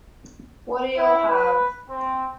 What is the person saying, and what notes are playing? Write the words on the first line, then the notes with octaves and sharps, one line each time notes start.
What'll you have?
E4
B4
C4